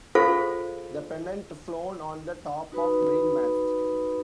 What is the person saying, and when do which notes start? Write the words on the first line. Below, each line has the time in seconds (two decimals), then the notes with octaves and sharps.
The pennant flown on the top of mainmast.
0.15 F4 G#4 A4 C5 F5
2.72 D#4 F#4 B4 B5 D#6